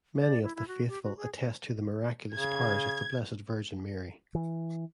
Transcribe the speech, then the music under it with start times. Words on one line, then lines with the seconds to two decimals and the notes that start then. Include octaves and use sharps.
Many of the faithful attest to the miraculous powers of the Blessed Virgin Mary.
0.18 D5
0.43 E4
0.56 E4
0.68 F#4
0.88 G4
1.03 F#4
1.17 G#4
2.35 C#3 G#6
4.35 E3